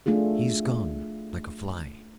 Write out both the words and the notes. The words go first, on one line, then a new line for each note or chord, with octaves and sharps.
He is gone, like a fly.
A3 D4 F4 G#4